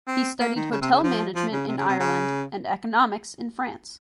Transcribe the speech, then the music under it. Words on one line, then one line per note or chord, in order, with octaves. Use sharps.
He studied hotel management in Ireland and economics in France.
C4
A#3
D#3
C#3
C3
C#3
F3
F3
C#3
C3
C#3
C3
C#3